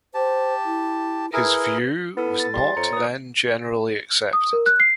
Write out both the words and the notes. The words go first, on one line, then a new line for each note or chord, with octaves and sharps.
His view was not then generally accepted.
G4 C5 A5
E4
E4 G#4 A#4 B4
B3 E4 A4
A6
G3 C6 A6
F2 C#5 A#5 C#7
A#2 B4 D#6
D#6
A#4
F#6
C7